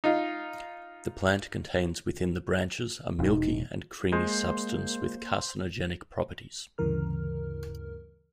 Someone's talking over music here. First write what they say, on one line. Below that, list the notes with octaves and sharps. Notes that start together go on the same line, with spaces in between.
The plant contains within the branches a milky and creamy substance with carcinogenic properties.
D#4 F4
E1 D#4
G#3 A#3 C5
D2 G2 C#3 E3 A#4 F6